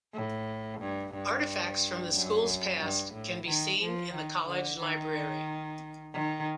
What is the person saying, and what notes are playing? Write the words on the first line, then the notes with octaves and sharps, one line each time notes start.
Artifacts from the schools' past can be seen in the College library.
A2
G2
G2
F#2
G2
A2
D#3
F3
D#3
D3
D#3
D#3